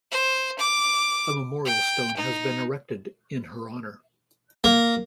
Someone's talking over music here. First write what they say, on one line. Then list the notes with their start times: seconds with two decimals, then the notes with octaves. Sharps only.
A memorial stone has been erected in her honour.
0.12 C5
0.59 D6
1.65 G5
2.17 D#4
4.64 A#3